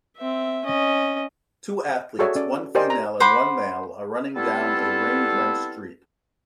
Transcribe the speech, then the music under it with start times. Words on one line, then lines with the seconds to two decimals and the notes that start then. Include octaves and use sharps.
Two athletes, one female and one male are running down a rain drenched street.
0.17 C4 E5
0.65 C#4 D#5
2.19 F#4 G#4 A4 C#5 D5 E5
2.35 C#4 D5
2.75 G4 A#4 C5 D5 D#5 G#5
2.90 A#5
3.20 C5 F#5 B5 D6
4.36 G3 B3 C4 E4 F4 A4